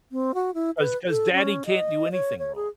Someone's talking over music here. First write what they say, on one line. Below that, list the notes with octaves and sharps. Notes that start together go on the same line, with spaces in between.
'cause 'cause daddy can't do anything wrong.
C4
F#4
E4
B4
A4
C#4
D#5
C#5
C#5
G#4